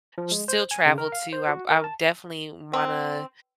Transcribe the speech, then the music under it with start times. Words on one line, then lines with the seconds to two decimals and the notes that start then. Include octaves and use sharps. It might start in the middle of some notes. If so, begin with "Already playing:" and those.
still travel to. I I definitely wanna
0.18 F3
0.32 G#3
0.48 C5
0.71 G#5
0.86 C#3
0.98 A#4
1.12 F5
1.33 C5
1.48 F#4
1.70 A#4
1.84 A5
2.73 C4